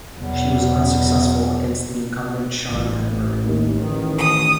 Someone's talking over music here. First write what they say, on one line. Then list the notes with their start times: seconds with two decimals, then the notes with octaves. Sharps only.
She was unsuccessful against the incumbent Shawn Edward.
0.15 E2 B2 F#3
2.68 A1
3.45 D#2
3.78 A1 D#3
4.18 D#6